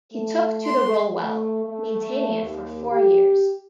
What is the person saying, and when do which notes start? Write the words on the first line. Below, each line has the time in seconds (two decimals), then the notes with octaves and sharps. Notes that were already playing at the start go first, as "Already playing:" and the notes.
He took to the role well, maintaining it for four years.
0.13 A3
0.65 C6
1.20 A3
1.65 A3
2.43 D#2
2.90 G4